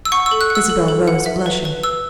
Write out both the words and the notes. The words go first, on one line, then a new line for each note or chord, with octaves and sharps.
Isabel rose, blushing.
E6
F#5 C#6
E6
A4
F#6
F#5
E6
A4
A4
F#5
E5
B4
B4
B4 E6